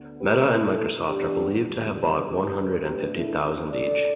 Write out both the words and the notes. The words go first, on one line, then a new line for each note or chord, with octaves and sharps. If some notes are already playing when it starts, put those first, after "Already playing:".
Meta and Microsoft are believed to have bought one hundred and fifty thousand each.
Already playing: D2 D3 B3
G4 B4
B2 A3 D4 E4 A4
G2 E3 G3 B3 D4 G4
E2 D3 G3
G2 D3 A3 D4 G4 B4
B2 A3 D4 G4 B4
E4 A4
G2 D3 A3 D4
A4 D5